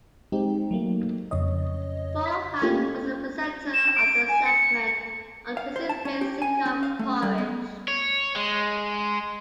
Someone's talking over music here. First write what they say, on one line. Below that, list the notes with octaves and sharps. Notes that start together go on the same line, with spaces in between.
Vaughan was the presenter of the segment on prison-based sitcom "Porridge".
G#3 C4 D#4 G4
F#3 A3 A#3
F2 C#3 C#5 D#5
B6
A3 A#3 C#4 F4 G4
E7
D7
G#5
C#7
F5
C5
A5
C#4
G4
G#5
C#4
F5
A3
G3
B3
C#5
G#3